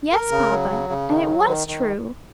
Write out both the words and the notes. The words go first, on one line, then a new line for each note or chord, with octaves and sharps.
"Yes, papa, and it was true."
A#4
C#3
F#3
C#3
C#3
D#3
F#3
D#3
D#3